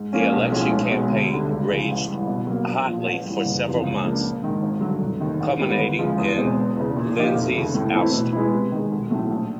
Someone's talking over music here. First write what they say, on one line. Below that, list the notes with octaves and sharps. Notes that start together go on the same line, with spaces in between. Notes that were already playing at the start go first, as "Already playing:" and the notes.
The election campaign raged hotly for several months, culminating in Lenzi's ouster.
Already playing: G#2
F3 A#3 C#4
B1
A2 F3 G#3 C#4
B1
B2 G#3
D2
D3 G3
C#2
C#3 F3 G#3
A1
G2 E3
B2
F#3 A#3
A#1
A#2 F3
A1
G2 E3
F#1
E2 C3 F3
C#2
C#3 F3 A#3 D4
A#1
G#2 D#3
G#1
G2 D3 F#3
F1
D#2 D#3
A1
G#2 D#3 G3 B3
D2
C#3 F3 G#3
E2
B2 G#3 C4
E1
E2 C#3
A#2
F3 A#3 D#4 G4
F1
D#2 C#3
A2
E3 A3 C4 E4
B2
G#3 B3 E4
C3
D#3 G#3
B1
A2 F#3 A3
A#1